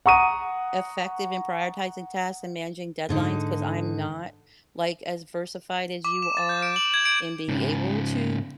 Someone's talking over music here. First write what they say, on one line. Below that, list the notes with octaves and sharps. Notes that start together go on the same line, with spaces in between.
effective in prioritizing tasks and managing deadlines, ‘cause I'm not like as versified as you are in being able to
F#5 A#5 C#6 D#6 D#7
G#2 D3 D#4
D6
E7
A6
G6
D7
F#7
G#6
D7
G#2 C#3